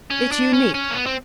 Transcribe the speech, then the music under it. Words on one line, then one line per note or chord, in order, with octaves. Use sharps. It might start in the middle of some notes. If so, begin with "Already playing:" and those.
It's unique.
C#4
D4
C#4
C#4
A#3
B3
C4